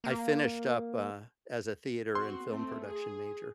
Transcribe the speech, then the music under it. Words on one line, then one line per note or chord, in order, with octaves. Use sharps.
I finished up, uh, as a theater and film production major.
A#3
C4 F#4 C6
A3 C4
G#4